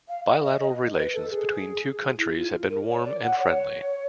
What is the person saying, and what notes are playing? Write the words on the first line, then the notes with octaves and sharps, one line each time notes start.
Bilateral relations between two countries have been warm and friendly.
F5
D#5
D#5
D#5
B4
A4
G#4
E4
F4
A#4
C#5
D5
F#5
C#5